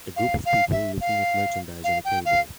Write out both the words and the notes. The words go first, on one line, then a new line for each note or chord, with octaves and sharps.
A group of people looking at merchandise on a table.
F5
F5
E5
F5
F5
G5
F5